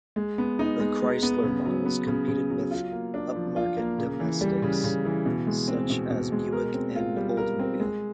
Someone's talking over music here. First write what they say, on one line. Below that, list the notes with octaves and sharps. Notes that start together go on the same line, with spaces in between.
The Chrysler models competed with upmarket domestics such as Buick and Oldsmobile.
G#3
B3
D#4
G#3
G#3
B3
C#3
F#3
B3
C#3
C#3
F#3
F4
A#3
D4
F3
F4
A#3
C#3
E3
G3
C#3
C#3
E3
B2
G#3
C4
B2
B2
G#3
A#4
C4
F4
G3
A#4
C4
G#3